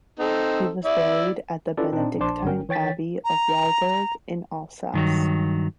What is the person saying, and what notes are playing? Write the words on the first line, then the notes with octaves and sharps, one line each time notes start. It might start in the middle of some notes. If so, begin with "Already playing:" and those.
He was buried at the Benedictine abbey of Walburg in Alsace.
C4 D#4 A4
E4 D5 E5
C#4 E4 F4 A4 B4 D5
A#2 C4 D4 D#4
A#1 D4 C5 A5 C6 D6
G1 G3 C#4 A#4 G5
E3 C#5 G5 A6 B6
A#5
G2 D#3 F#3